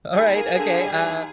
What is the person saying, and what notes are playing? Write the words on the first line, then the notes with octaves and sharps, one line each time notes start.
alright, okay, uh
D#2 G#4
A#3
D3
G3
D#2